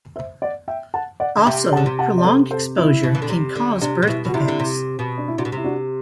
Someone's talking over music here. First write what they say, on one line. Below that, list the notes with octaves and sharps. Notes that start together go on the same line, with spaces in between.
Also, prolonged exposure can cause birth defects.
C5 E5
D5 F#5
E5 G5
F#5 A5
D5 F#5
D3
C3 E5 G5
F#5 A5
D3
C3
F#5 A5
D5
A4 C5
A4 C5
E4
B2
E3
D3
C3
D3
C3 D4
C3
B2 E4
B2 F#4
C3 E4
D3
C3
B2
D4
E4
C3 D4 F#4
B2
C3 E4
D4 F#4